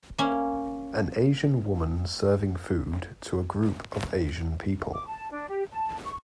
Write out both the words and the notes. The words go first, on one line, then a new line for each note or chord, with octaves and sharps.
An Asian woman serving food to a group of Asian people.
A#3 C#4
D6
A5
D4
G4
A5
C#6